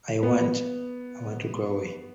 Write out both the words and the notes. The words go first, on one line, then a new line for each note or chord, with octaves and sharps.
I want... I want to go away.
B3